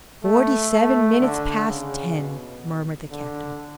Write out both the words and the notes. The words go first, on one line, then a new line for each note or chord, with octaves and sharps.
"Forty-seven minutes past ten!" murmured the captain.
A3
A3
D3
C#3
B2
D3